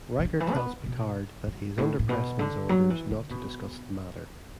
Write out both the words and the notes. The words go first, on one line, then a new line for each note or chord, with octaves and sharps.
Riker tells Picard that he is under Pressman's orders not to discuss the matter.
B2
D3
E3
D4
B3
B2
F#2
A2
A2
B2
D3
F#3
E3
D3
B2